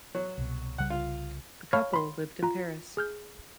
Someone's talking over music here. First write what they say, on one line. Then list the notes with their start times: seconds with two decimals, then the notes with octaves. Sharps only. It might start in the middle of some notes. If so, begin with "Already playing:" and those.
The couple lived in Paris.
0.15 F#3
0.38 C2 B2
0.78 C2 C#3 G3 F#5
0.90 F4
1.73 C#5 F5 A5 B5 C#6 F6
1.94 B5 C6
2.43 F4 A#5
2.97 G#4 F6 G6